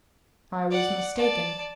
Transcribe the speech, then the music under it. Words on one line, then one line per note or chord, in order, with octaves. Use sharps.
I was mistaken.
D5 F#5
D5 A5